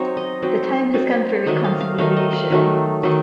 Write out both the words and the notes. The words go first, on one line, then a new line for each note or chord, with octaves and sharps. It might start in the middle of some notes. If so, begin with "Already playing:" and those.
The time has come for reconciliation!
Already playing: F#3 C4 D#4 C#5
D#5
F#3 C4 D#4
F#3 C4 D#4
D#3 F#3 A3 D#4 D#5
F5
F5
D#3 F#3 A3 D#4 F5
D#5
F5
D#3 F#3 A3 D#4
D#3 F#3 A3 D#4